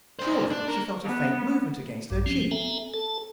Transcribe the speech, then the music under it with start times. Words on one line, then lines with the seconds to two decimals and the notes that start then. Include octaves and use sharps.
Surely she felt a faint movement against her cheek?
0.19 D4 C5
0.50 D4
0.68 A#3 A#4
1.04 B3
2.10 A#1 G2
2.26 F3 C4 C#4
2.51 B3 C4 A4 E5 G#5 A#5
2.94 A4 A5